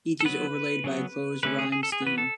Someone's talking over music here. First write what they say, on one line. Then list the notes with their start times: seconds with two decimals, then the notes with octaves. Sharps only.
Each is overlaid by a closed rhyme scheme.
0.21 A4
0.25 F#3 B3 B4
0.84 C#3 F#3 B3
1.43 D3 A3 C#4 B4
1.59 G#4
1.72 G#4
1.83 A4
1.92 G#4
2.02 E3 B3 B4
2.18 A4